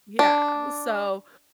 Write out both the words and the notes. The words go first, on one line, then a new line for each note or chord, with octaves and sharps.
Yeah, so,
D4